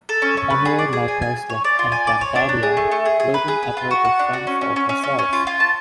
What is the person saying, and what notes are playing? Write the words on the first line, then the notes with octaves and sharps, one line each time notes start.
Emre likewise left Encantadia, leaving Ether to fend for herself.
A4
C#4
C#4
B4
G#4
D5
G#4
G#5
G#5
G#5
C#5
D5
F4
G#5
D5
C#5
D4
D4
G#4
A3
A3
G#4
G#4
B4
G#4
B4
F4
F#4
F#5
D4
F#4
C#4
C#4
C#4
C#4
C#4
C#4
F4
F4
A5